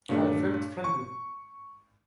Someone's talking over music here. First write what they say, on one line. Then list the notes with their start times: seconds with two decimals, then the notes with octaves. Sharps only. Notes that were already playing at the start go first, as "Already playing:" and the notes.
I felt friendly.
0.09 G2 A#2 F#3 A3 D4
0.84 C#6